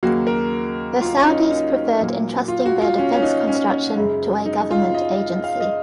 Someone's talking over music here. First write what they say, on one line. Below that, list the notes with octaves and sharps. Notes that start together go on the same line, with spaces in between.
The Saudis preferred entrusting their defence construction to a government agency.
D#2 C#3 F#3 A#3 F#4
A#4
F4
C#4
D#4
D#4
A#2 F#3 A#3
F4
F#4
F4
C#4
C#4
D#4
C#4
F#2 C#3 G#3
D#4
F4
D#5
F5
D#5